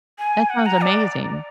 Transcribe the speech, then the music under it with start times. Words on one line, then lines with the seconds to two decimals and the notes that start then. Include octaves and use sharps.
That sounds amazing.
0.18 G#5
0.50 F#5
0.66 A#5
0.81 D5